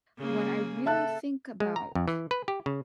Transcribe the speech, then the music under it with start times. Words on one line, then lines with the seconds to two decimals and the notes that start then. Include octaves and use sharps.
when I really think about
0.18 C#3 A#3 G#4
0.86 A4 E5 A5 F#6
1.60 G#3
1.76 A#5
1.95 F2
2.08 E3
2.31 B4
2.48 G4
2.66 C#3